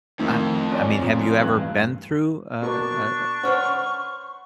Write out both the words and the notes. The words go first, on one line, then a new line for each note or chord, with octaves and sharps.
I I mean, have you ever been through a a
F2 A2 D#3 A3
C#4 D5
A#2 C#3
A1 G2 F#6
B2 A#3 D4 C#6
C#4 B4 C5 F#5 F6